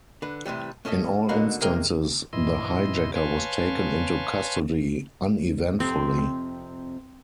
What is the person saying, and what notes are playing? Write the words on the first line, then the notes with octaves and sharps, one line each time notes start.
In all instances, the hijacker was taken into custody uneventfully.
D3 B4
A2 C3 E3 G3
A3 C#4 A4 D#5 E5
G#2 B2 D3 A#4 F5 B5
C3 A#3 G#4 A#4 D#5 G5
G2 A#2 E3 E4 D#5 C6
B4 C#5 F5 G#5 A5 C6
F2 C3 C4